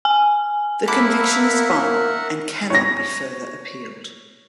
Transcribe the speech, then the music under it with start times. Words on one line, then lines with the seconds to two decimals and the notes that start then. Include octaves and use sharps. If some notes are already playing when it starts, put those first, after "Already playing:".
The conviction is final and cannot be further appealed.
0.05 G#5
0.88 A#3 E4 A#4 E5 F#5 A5 B5 D6
2.70 C#5 A#6